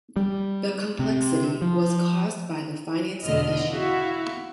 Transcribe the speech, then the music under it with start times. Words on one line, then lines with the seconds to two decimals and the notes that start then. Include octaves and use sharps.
The complexity was caused by the financing issue.
0.17 G3
0.99 C3
1.62 F3
3.23 E2 B2 D3 D#5 F6
3.68 E4 F#4 E5 F5